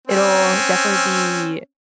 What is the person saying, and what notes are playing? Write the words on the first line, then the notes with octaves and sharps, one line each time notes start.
it'll definitely be
C4 C#4